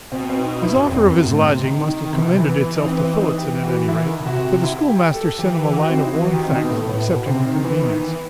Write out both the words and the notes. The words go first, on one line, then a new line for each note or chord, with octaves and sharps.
His offer of his lodging must have commended itself to Phillotson at any rate, for the schoolmaster sent him a line of warm thanks, accepting the convenience.
B2 C4
C4
D#4
D#4
E4
F#2
E2 C4
F#2
A2
C3
D#3
D#3
C3
B2
C3
E3 B3
D#4
C4
B3
C4
D#4
G4
F#4
E3 E4
D#3
B2
C3 F#4
C3
E4
G4
A4
E3 G4
G4
F#4
C4
D#4
E4
E3 F#4
F#4
D#3 G4
C4
B2 D#4
B3
A2 A3
A2 B3
B2
C3 C4
D#3
D#3
E3 B3
D#3
E3